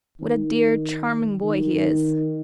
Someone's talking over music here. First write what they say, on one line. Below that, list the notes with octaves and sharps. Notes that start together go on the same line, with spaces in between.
"What a dear, charming boy he is!"
D#3
D#3